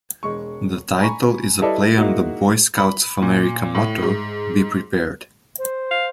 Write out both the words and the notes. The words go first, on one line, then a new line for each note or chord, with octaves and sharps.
The title is a play on the Boy Scouts of America motto "Be Prepared".
E1 G#3 C#6
G#5 A#5 B5 C#6
G3 E4 A4 B4 D5 D#5
G#3 A#3 D#4 E4 F#4
B5
A#2
A2
G#2
C5
F5